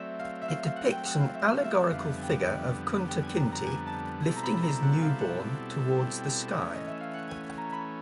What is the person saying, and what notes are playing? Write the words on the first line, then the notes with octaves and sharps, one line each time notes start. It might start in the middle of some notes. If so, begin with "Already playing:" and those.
It depicts an allegorical figure of Kunta Kinte lifting his newborn towards the sky.
Already playing: F#3 A3 C4 D5 E5
F5
E5
F5
F5
F#5
G5
F#5
F5
E5
F5
E5
F2 D3 G3 B3 F5
G5 G#5
G5
G#5
A#5
A#5
G#5
A5
B2 G3 C4 E4 A4
A#5
B5
A#5
F#5
F5
F#5
G5
E3 A3 C#4
D#5
E5
F5
F#5
G#5
A#5
B5